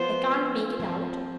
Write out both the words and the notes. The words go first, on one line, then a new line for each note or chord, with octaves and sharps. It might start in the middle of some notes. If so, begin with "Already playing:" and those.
I can't make it out.
Already playing: F3 B3 F4 C5
F3 C4 F4